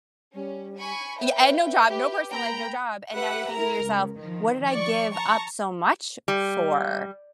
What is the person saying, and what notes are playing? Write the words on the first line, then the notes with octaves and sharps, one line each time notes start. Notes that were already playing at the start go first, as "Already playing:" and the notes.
Yeah, and no job. No personal life, no job. And now you're thinking to yourself, "What did I give up so much for?"
G3 C#4
G#5 B5 C#6
B4 C#5 E5 G5
G4 B4
A#3 G5 A#5 B5
G4 B4 E5 F#5
E4 A#4 A#5
C#2
D#3 F3
D5 C#6
A5 A#5 C#6
G3